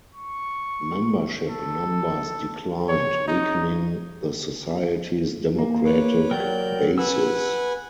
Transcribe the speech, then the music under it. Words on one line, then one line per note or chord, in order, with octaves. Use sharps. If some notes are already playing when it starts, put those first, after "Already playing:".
Membership numbers declined, weakening the society's democratic basis.
C#6
A4
C#5
D#4
A#3
B4 C#5 D6
F#3 A#4 D5 G5 G6
B4 F#5 G#5 E6